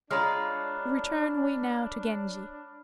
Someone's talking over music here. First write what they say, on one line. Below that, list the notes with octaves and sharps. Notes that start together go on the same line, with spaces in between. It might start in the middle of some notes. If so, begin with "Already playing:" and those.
Return we now to Genji.
G#3 D4 F4 C#5 A#5 B5 F6